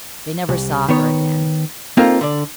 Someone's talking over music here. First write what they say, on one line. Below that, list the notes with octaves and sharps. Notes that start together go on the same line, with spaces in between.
They never saw her again.
C2
D#3 B3 C#5
A#3 C4 D#4 F4 A4 A#4
D3 D5